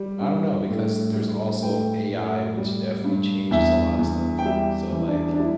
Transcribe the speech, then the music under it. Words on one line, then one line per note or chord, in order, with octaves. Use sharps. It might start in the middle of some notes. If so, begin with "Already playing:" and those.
I don't know, because there's also AI, which definitely changes a lot of stuff. So, like,
Already playing: G3
G2
A2
G3
A2 G5
A2
G3
G2
E2 E5
E2
G5
G3 E5
E3
D4
D4
G3 E4